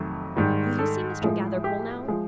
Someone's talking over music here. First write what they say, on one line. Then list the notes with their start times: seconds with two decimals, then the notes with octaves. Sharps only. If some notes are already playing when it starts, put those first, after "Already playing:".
"Will you see Mr. Gathercole now!"
Already playing: F2 C3 D#3 F#3 A3
0.36 G#2 D#3 G3
0.79 A4
1.22 A2 F3 G#3
1.64 G4
2.08 F3 G#3